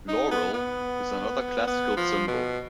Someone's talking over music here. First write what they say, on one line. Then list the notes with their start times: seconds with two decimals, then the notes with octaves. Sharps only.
Laurel is another classical symbol.
0.08 D#4
0.31 B3
0.54 B3
1.67 B3
1.97 F3
2.27 B2